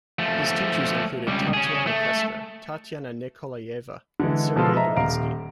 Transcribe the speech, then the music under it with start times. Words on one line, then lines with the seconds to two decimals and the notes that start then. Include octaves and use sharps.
His teachers included Tatiana Kestner, Tatiana Nikolayeva and Sergei Dorensky.
0.19 F3 A3
1.27 C#2 G3
1.54 C#4 G#4
1.87 A3
4.20 D3 E3 G#3
4.56 B2 F3 G#3 F4 A4
4.75 D#5 E5 A#5
4.96 D#1 F5 A#5 D7